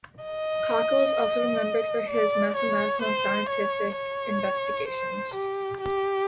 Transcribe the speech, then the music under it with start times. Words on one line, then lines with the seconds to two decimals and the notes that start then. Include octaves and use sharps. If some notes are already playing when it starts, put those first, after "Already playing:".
Cockle is also remembered for his mathematical and scientific investigations.
0.25 D#5
2.10 D5
2.56 C#5
3.02 C5
3.49 C#5
3.96 C#5
4.88 C5
5.35 G4
5.81 G4